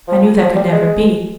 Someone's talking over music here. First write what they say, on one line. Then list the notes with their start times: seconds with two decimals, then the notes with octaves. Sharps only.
I knew that could never be.
0.08 F3
0.40 F3
0.56 G3
0.72 G#3